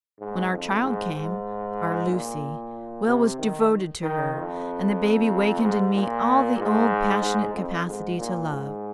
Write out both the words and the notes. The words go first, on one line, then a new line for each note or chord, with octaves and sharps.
When our child came--our Lucy--Will was devoted to her, and the baby wakened in me all the old passionate capacity to love.
G#2
F2
G#2
G#2
A#2
C3
D#3
D#3
F2
G#2
A#2
G#2
G#2
F2
G#2
A#2
G#2